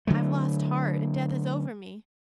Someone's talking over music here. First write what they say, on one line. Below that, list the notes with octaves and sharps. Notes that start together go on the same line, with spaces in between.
I've lost heart, and death is over me.
D3 E3 F#3 A3